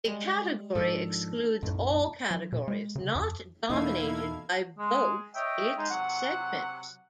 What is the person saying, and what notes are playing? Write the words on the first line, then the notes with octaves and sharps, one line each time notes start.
A category excludes all categories not dominated by "both" its segments.
G3 G#3
G#2 D#3 F3 D4 A4
B1 F#2 A2
F#3
B2
G#3
C#3
F2
E2 B2 A#3 D#4 E4 A4 F5 G#6
G#3
C#5 D#5 E5 G5
G#3 D#4
C3 F#3 F#5